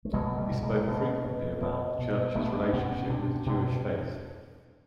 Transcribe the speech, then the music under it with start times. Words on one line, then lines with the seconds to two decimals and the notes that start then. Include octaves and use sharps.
He spoke frequently about the Church's relationship with the Jewish faith.
0.05 A3
0.13 B2 F#3 G#3
0.26 A#3
0.37 G3 A3
0.51 B2
0.62 G#3 A#3
0.87 B2
1.25 B2
1.61 B2
1.98 B2
2.35 B2 A3 B3
2.63 D4
2.73 B2 B3 C#4
3.09 B2 C4 D4
3.46 B2 C4 D4